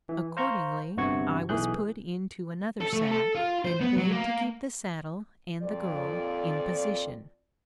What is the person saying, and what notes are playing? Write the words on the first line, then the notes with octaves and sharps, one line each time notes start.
Accordingly, I was put into another sack and made to keep the saddle and the girl in position!
E3
C5 F5 A#5 C#6 G6
G1 G2 C3 F#4 C#6 G#6
B1 E3 G#4 F#6 G6
A4
A3
A4
F4
C5
B3
F#3
A#3
F2 A#2 D5